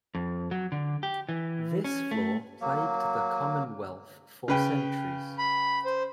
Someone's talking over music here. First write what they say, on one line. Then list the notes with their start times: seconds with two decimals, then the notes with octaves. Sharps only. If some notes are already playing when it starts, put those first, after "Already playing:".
This flaw plagued the Commonwealth for centuries.
0.15 F2
0.51 F#3
0.72 D3
1.03 G4
1.29 E3
1.84 C#4
2.11 A3
2.61 F#3 A#3
4.48 C#3 B4 G5
5.38 B5
5.85 C5